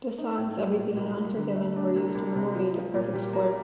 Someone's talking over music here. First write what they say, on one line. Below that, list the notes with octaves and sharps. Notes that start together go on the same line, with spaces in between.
The songs Everything and Unforgiven were used in the movie The Perfect Score.
D#4
A2
G3
A#2
C2
C2
D3
A3
D4
C2
C2
C3
F3
F3
A#2
G3
A#3